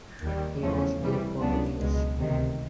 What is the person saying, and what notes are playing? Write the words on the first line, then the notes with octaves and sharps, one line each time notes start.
He was there for two years.
D#2 D#3 G3
E2 C#3 F3 A3 C#4
C2 C3 E3 G3
C#2 C#3 F#3 B3 D4
C#2 B2 G#3
D2 C3 D#3